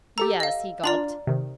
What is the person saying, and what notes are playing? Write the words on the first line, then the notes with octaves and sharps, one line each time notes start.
"Yes," he gulped.
G4 A4 A#5 E6
D#5 F5
D4 F4 D5 A#5 F#7
C3 D#3